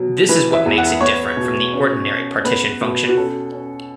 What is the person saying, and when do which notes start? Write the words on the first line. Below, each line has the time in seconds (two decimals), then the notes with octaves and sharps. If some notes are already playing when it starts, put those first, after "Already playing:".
This is what makes it different from the ordinary partition function.
Already playing: B2 F#3
0.29 E3 B4
0.53 E5
0.66 E2
0.78 F#5
1.01 B3 C#5
1.37 B2
1.74 C#4
2.09 C#4
2.44 B3 B4
2.81 B2
3.09 F#4
3.17 C#4 A4
3.52 C#4